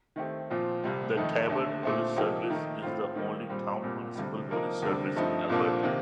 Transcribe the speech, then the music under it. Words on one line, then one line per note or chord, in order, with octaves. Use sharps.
The Taber Police Service is the only town municipal police service in Alberta.
D#3 A3 C4 G4
A#2 F3 C4 F4
C2 C3 G3
F2 D#3 A3 D#4
D#2 D3 A3
A#2 A3 C4
C3 F3 A#3 D#4 G4
D#3 A3 D#4 A#4
A2 A3 C4 F4
D#3 G3 A#3 D#4
A#2 G3 C4
C2 A#2 G3 A#3
D2 C3 G3
C3 F3 A#3 D#4 A#4
D2 C3 G3 D4
G2 F3 A3 C4 D#4
C2 A#2 F3 A#3 D4
C3 D#3 A#3